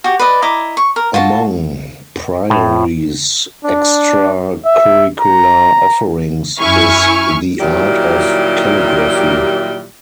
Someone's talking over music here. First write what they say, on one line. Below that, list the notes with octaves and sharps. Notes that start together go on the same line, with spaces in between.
Among Priory's extracurricular offerings is the art of calligraphy.
F#4 G4
B4 D5 D#5
E4 D#5 A#5 D6
C#6
A#4
F4 F#4 A5
A2
D4
E5
A#5
F#2 E4 G#5 C#6 F6
A#2 D#3 F#3 G3 E4 G4